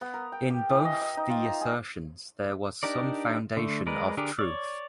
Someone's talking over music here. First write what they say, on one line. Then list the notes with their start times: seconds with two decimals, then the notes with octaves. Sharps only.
In both the assertions there was some foundation of truth.
0.01 B3
0.14 A#4
0.32 G5
0.50 G4
0.70 E3
0.85 D#5
1.01 D#5
1.17 D#4
1.30 F4
1.46 A#5
1.61 G#4
2.83 D4 D#4 G4 A#4 D5
3.57 D3 A3
3.87 G#3 A#4 B4 D5
4.17 D3 D4 G4 G#4 A#4
4.39 C#5 D5